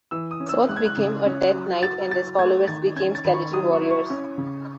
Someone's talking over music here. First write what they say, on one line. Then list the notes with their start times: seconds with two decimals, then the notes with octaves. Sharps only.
Soth became a death knight and his followers became skeleton warriors.
0.11 E3 E6
0.31 D#6
0.40 C#4
0.49 E6
0.69 G#3 F#6
0.76 G#6
0.86 F#6
0.98 C#3
1.26 C#4
1.54 F#3
1.83 F#4 A6
2.11 F#3 A6
2.39 A3 G#6
2.67 D#3 A6
2.96 C#4 G#6
3.15 A6
3.25 D#3 B5
3.34 C#6
3.53 F#3 D#6
3.72 C#6
3.82 E4
3.91 C#6
4.10 C#4
4.38 C#3